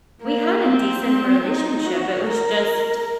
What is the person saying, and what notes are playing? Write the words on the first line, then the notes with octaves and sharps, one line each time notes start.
we had a decent relationship. It was just
A#3
C4
D#4
F#4
A#4